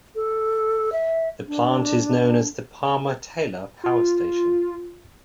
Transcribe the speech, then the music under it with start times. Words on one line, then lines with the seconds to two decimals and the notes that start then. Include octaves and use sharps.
The plant is known as the Palmer-Taylor Power Station.
0.15 A4
0.92 E5
1.48 D4
3.84 F4